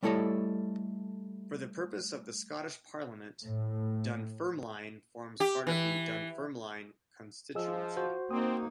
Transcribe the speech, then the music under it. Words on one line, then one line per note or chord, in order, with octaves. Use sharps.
For the purposes of the Scottish Parliament, Dunfermline forms part of the Dunfermline constituency.
G3 A3 E4 A4 C#5 D#5
A2
G4
E3
F3 G#4 D#5 E6
F#4 C5
A#3 C4 D#4 D#6